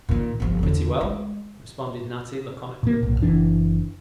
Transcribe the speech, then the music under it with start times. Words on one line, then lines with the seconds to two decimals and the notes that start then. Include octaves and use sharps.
"Pretty well," responded Natty laconically.
0.09 A#2 D#3
0.40 G1 F3
0.59 E2 D3
1.01 G#3
2.83 A#2 A#3
3.03 B1 G2 A#2
3.20 F#1 E3 D4